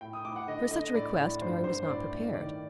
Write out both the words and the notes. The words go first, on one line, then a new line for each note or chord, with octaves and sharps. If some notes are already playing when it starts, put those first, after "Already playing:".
For such a request Mary was not prepared.
A2 G5
D#6
A2 D6
F#5
D3 D#5
D3 D#5
A2 D5
A2
G2 C5
G2 C5
C5
A2 D5
A2
D#3 D5